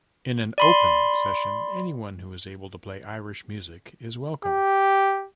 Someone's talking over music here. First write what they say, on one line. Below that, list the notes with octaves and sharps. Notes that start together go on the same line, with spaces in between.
In an "open" session, anyone who is able to play Irish music is welcome.
D5 B5 C6
G4